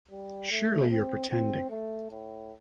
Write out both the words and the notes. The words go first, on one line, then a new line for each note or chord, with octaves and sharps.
Surely you’re pretending.
G3
A3
C4
C4
A3
A2